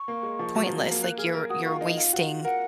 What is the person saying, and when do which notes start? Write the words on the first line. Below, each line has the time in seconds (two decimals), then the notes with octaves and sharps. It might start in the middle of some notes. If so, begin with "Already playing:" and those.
pointless. Like, you're you're wasting
Already playing: C#6
0.08 A#3
0.23 G#3
0.39 F3
0.55 F#3
0.66 F3
0.78 F#3
0.91 A#3
1.03 A#3 F#6
1.18 G#4 F6
1.34 A#4 F6
1.49 F#4 D#6
1.66 F4 C#6
1.81 D#4 F5
1.97 F4
2.13 F#4
2.44 A#4 F#5